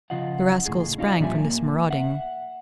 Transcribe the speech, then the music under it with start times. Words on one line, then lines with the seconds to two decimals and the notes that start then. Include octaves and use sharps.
The rascal sprang from this marauding.
0.10 C#3 F3 F4 D#5 F#5
0.66 D#2 A2 G#4
0.98 C#4 D#4 F4 G4 B4 D5
1.19 A#2 F3 G3 E5 G#5
1.44 A#3
1.90 E5 F#5